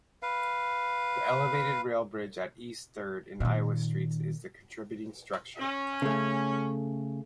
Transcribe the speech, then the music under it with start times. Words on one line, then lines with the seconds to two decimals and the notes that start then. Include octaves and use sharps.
The elevated rail bridge at East Third and Iowa Streets is the contributing structure.
0.22 B4 F5
3.40 A#2 D#3
5.60 C#4
6.02 C#3 A3